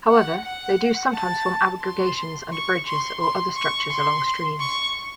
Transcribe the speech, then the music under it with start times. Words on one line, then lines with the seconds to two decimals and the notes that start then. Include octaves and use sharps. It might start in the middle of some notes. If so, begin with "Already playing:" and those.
However, they do sometimes form aggregations under bridges or other structures along streams.
0.10 F#5
0.45 F#5
1.13 A5
1.82 C6
2.52 C#6
2.87 C6
3.21 C6
3.56 C#6
3.90 C6
4.59 C#6